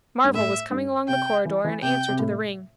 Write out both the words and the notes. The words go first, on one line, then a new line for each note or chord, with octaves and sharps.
Marvel was coming along the corridor in answer to the ring.
G2
A2 E5
G2
C3 G5
E3
E3
C3 G5
C3
A2